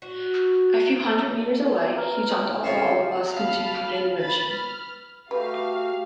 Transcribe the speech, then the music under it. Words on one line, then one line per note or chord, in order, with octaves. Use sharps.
A few hundred metres away, he jumped off while the bus continued in motion.
F#4
B4 A#5 F6
C4 C#4 F4 A4 E5 F5
F5 A5 B5 F6
B4 B5 A6
F6
A3 F#4 G4 B4 F5